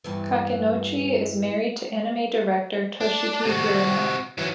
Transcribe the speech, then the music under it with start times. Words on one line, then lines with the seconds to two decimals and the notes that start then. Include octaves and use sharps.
Kakinouchi is married to anime director Toshiki Hirano.
0.04 E2 G2 E3
3.01 D4
3.45 C3 F#4
4.38 E3 F#3